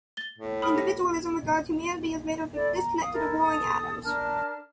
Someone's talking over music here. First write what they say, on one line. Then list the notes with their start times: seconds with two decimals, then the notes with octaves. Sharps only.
Individualism regards humanity as made up of disconnected or warring atoms.
0.17 A6 G7
0.38 A2
0.62 B5 D#6 F6
0.76 G4 A#6
2.53 E4 A4 D5
2.75 A#5
3.00 F5 D#6
3.12 E4 A4 A#4
3.38 A4 D#6
4.03 D4 A#4 A5 F6